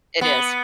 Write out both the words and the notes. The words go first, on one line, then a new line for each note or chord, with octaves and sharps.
It is.
B3